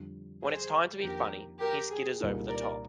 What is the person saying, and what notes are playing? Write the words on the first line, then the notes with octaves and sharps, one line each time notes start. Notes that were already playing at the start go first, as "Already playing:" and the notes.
When it's time to be funny, he skitters over the top.
Already playing: F2 D3 G3
G#4 C5
F2 D#3 A#3 D4 G4 A#4
G4 A#4
G#4
C2 A#2 G3 A#3 D#4
A#4 D5